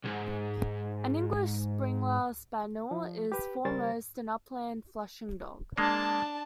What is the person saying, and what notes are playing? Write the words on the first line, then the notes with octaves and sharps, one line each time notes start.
An English Springer Spaniel is foremost an upland flushing dog.
B1 G#2
F3
G4 B4
C#3 G3 A#4 C5 A6
G#3 A#3 D4 A5